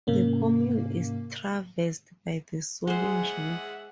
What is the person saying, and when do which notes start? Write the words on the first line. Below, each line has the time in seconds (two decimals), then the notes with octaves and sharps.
The commune is traversed by the Solin River.
0.07 G#2 C3 A#3 C#4
2.87 G#3 G#4 C5 E5 F#5